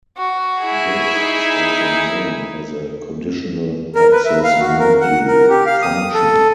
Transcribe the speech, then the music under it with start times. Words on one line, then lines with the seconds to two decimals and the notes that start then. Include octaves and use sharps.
This is also known as a "conditional-access module" function.
0.17 F#4
0.61 E4 G#4
1.14 D#4
3.95 A#4
4.12 B4
4.25 E5
4.44 F5
4.60 F#4
4.79 A#4
5.00 F#5
5.28 A#4
5.49 G4
5.66 F5
5.82 D#6
6.14 A4